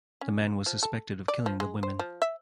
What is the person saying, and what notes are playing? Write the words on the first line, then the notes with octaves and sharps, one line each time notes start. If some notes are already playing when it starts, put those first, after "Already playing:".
The man was suspected of killing the women.
C#4
F3
A4
D5
F3
G#3
C5
F3
E5